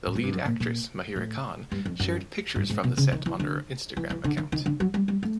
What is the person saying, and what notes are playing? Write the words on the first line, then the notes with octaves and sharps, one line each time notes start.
The lead actress Mahira Khan shared pictures from the set on her Instagram account.
A2
G#2
G2
F#2
A#2
A#2
A2
G2
F2
F#2
G2
G#2
B2
C#3
D#3
E3
D3
E3
E3
D3
D#3
D#3
D3
F#3
G3
G3
A3